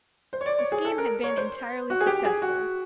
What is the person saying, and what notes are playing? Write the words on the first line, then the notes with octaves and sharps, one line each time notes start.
The scheme had been entirely successful.
C5
C#5
D5
C#5
G#4
A4
A#4
C#5
C5
F#4
G#4
G4
G#4
F#4